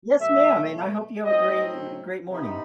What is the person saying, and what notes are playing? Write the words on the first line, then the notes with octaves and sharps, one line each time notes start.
Yes, ma'am, and I hope you have a great e great morning.
B2 F#3 A3 E5
A2 F#3 C4 D#4 D#5
C3 E3 B3 D#4